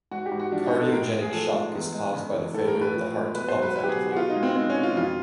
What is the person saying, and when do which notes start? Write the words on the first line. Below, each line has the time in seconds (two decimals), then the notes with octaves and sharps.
Cardiogenic shock is caused by the failure of the heart to pump effectively.
0.11 G#2 F#4
0.26 G4
0.32 G#2
0.39 F#4
0.52 F3 D4
0.67 D#4
0.72 G#3
0.79 A4
0.92 A2 A#4
1.13 A2
1.21 G#4
1.33 F3 A4
1.54 G#3
1.73 E2
1.94 G#3
2.13 C#3
2.34 E3
2.54 A2 A4
2.67 A#4
2.75 A2
2.81 B4
2.95 F3
3.15 G#3
3.35 B2 B4
3.48 C5
3.55 F#3
3.62 B4
3.75 F#3 B4
3.83 G4
3.89 G#4
3.96 B2
4.12 F#4
4.16 B2 F4
4.30 D#4
4.36 G#3
4.43 C4
4.56 G#3 C4
4.70 C#4
4.77 B2
4.83 F4
4.96 F2 F4